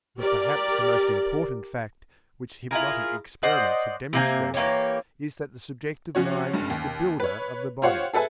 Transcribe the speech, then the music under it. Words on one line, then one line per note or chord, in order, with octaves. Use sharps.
But perhaps the most important fact which hypnotic experiments have demonstrated is that the subjective mind is the builder of the body.
G4 A#4 D5
E4 F4 G#4 A#4
C5 D5 D#5 F#5
C3 A#3 G#5
E3 A#3 G4 C#5
F3 C#4 F#4 C#5
F#1 G2
D#2
B4 C#5
F4 G4 C5 C#5 F5 F#5
G#4 A4 B4 E5 G#5